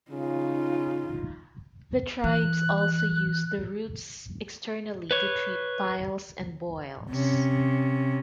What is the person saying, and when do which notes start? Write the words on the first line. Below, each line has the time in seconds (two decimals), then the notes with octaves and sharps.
The tribes also used the roots externally to treat piles and boils.
0.11 C#3 D#4 F4
2.24 E3 F#6
5.11 B4 C#5
7.10 C3 C#4